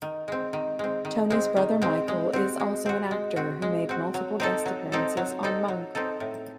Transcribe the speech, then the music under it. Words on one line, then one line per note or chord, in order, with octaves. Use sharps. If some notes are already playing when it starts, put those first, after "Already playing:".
Tony's brother Michael is also an actor who made multiple guest appearances on "Monk".
D#3
G#3 C4
D#3
G#3 C4
D#3
G#3 C4
D#3
G#3 C4
G#3
C4 F#4
G#3
C4 F#4
G#3
C4 F#4
G#3
C4 F#4
F#3
C4 D#4 A4
F#3
C4 D#4 A4
F#3
C4 D#4 A4
F#3
C4 D#4 A4
A2